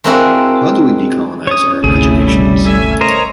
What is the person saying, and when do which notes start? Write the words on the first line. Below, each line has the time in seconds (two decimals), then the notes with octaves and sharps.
How do we decolonize our imaginations?
0.04 G#3 A#3 C4 D4 E4 F#4
1.47 C#4 C#5 D#6
1.84 G#1 D2 C3 A3 E4 G#4
2.28 G3
2.64 A3 C#4 E5 G#5
3.01 A#4 C5 C#5 D#5 A#5